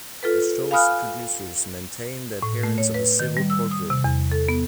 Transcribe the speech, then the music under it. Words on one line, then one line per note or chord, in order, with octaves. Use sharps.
The show's producers maintain the appearance of a civil courtroom.
F4 A4 B4
F5 G#5 B5 D#6 F6 F#6
A2
A3
C#5
B4
D#3
G3
E6
D#6
C3
E2
A4
B3